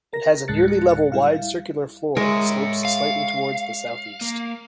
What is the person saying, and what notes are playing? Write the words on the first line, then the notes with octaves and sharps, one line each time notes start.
It has a nearly level wide circular floor that slopes slightly towards the southeast.
A#4 A#6
D2 A2 G#3 F#6 A6 C#7
G3 E4 F5
G#3 A#4 C#5 E5
F5
A#3